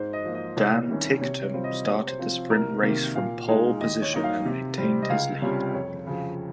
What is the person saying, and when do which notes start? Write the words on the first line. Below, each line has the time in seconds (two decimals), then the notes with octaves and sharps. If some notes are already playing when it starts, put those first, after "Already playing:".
Dan Ticktum started the sprint race from pole position and maintained his lead.
Already playing: G#2 C5
0.13 D#5
0.25 F3 A#3
0.34 D#5
0.56 C2 C#5
0.89 C3 D#3 G3 C#4
1.21 C3 C#5
1.43 C#5
1.54 G3 C4 F4
1.64 D#5
1.86 C3 C#5
2.07 C5
2.19 F3 C4 F4
2.50 C2 A#4
2.83 C3 D#3 A#3
3.15 A#2 F5
3.48 G#3 D#4
3.80 D#2 D#5
4.02 C#5
4.13 D#3 A#3 D#4
4.24 F5
4.45 C3
4.78 G3 C4
5.02 D#5
5.10 C#2 F5
5.42 C3 G3 C#4 F4
5.74 F2 C#5
6.07 C#3 F3